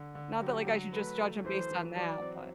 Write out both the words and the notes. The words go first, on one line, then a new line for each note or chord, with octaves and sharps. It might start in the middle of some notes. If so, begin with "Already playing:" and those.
Not that, like, I should just judge him based on that, but
Already playing: D3
D3
F#3 G4
F#3
A3 B4
A3
E3 C5
E3
F#3 D5
C4